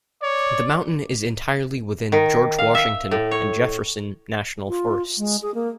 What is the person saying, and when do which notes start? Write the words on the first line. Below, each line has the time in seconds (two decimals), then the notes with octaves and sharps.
The mountain is entirely within George Washington and Jefferson National Forests.
0.23 C#5 D5
2.12 D#3
2.59 F5
2.75 E5
3.11 A2
3.31 C#5
4.68 F4
5.18 G#3
5.42 G#4
5.55 A#3